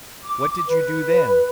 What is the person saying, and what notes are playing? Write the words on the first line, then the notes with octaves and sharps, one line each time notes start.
"What did you do then?"
D6
B4